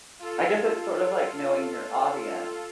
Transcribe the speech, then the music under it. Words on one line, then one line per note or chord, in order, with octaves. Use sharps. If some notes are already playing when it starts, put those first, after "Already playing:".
I guess it's sort of like knowing your audience
F4 A4